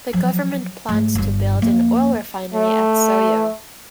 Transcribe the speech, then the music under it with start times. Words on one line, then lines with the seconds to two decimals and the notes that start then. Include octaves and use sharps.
The government plans to build an oil refinery at Soyo.
0.13 F3 F#3
0.89 G#2 A3
1.15 G1 G2
1.62 F2 A#3
2.54 A3